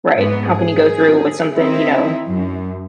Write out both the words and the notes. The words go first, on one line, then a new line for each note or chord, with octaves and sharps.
Right, how can you go through with something, you know?
G#2 B3
G#4
C4 D#4 E4
F#2